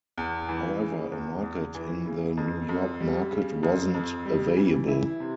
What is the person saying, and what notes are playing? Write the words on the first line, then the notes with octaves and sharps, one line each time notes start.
However a market in the New York market wasn't available.
E2
E3
C#3
E2
E2
E3
C#3
F2
F2
G3
C#3
F2
F2
G3
E3
E4
C3